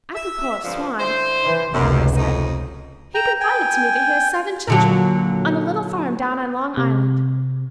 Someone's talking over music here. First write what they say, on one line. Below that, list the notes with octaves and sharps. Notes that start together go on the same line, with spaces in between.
"Apropos of Swann," Margaret said, "he confided to me that he has seven children--on a little farm down on Long Island."
E5
G2 D3 F3
D3 E4 C5
E3
F1 C#2 F#2
F2 A2 D#4
G5 A#5
G5 G#5
A#2 D3 F#3
C3